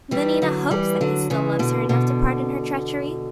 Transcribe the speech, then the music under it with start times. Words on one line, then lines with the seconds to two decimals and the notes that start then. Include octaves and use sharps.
Vanina hopes that he still loves her enough to pardon her treachery.
0.11 E3 G3
0.42 D3 F#3
0.71 E3 G3
1.01 D3 F#3
1.30 C#3 E3
1.59 B2 D3
1.89 B2 D3